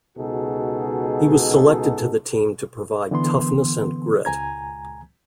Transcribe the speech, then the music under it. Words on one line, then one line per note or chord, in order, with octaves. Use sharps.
He was selected to the team to provide toughness and grit.
C#2 B2 D#4 F#4 G#4 A4
D3 E3 B3 C6
C#2 G#5 A#5 G#6